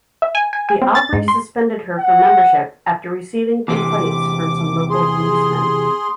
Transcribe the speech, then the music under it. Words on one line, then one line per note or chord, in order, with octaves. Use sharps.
The Opry suspended her from membership after receiving complaints from some local policemen.
E5
G#5
G#5
G#5
C4
A6
G#2
C6
F#5
E2 C3 D6
G#4 C6